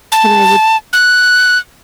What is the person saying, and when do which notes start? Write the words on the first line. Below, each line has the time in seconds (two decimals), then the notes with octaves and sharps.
and I would
0.12 A5
0.93 F#6